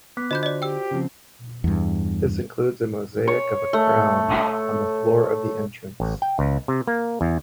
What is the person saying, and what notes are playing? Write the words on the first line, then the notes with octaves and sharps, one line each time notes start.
This includes a mosaic of a Crown on the floor of the entrance.
B3 D6 F#6 B6
D3 F4 F#4 C5 D#5 B5 G6
D5 D#5
G4 G5 E6
C#3 F3 C4
E2 G2
C#5
A3
A1
G5
C#2
C3
A#3
E2